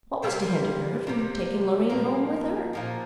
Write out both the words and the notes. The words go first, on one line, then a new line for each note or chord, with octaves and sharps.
What was to hinder her from taking Loreen home with her?
C3 G3 A#3 C5
C3 G3 A#3
A#2 F3 A#3 A#4
A#2 F3 A#3